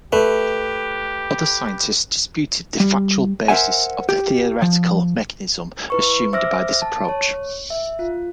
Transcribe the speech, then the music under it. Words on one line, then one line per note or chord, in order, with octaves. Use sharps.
Other scientists disputed the factual basis of the theoretical mechanism assumed by this approach.
A3 G4 B4
G3
A#4 C5 C#5 E5 F#5 G#5
G4
F3
E4 B4 C#6
C5 E5 D6 E6 F6 A#6
A5
C#5
E5
F4